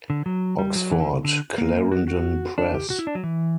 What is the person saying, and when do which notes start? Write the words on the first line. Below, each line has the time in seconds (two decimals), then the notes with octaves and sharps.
Oxford, Clarendon Press.
0.10 D3
0.26 F#3
0.59 G3
0.75 F#3
0.92 E3
1.00 D3
1.25 D3
1.58 A#3
1.92 F#4
2.08 F#4
2.58 D4
2.74 G4
2.90 F#4
2.99 E4
3.07 D4
3.15 F#3
3.23 E3